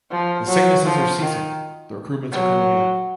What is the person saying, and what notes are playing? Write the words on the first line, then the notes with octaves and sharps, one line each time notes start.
The sicknesses are ceasing; the recruitments are coming in.
F3
F#3
F3
D#3
F#3